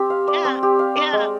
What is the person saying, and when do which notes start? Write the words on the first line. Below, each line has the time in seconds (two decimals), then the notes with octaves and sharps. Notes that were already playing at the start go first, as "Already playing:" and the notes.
Yeah. Yeah.
Already playing: C4 G4
0.10 F5
0.28 D5
0.45 C4
0.63 G4
0.79 F5
0.97 D5
1.13 G#3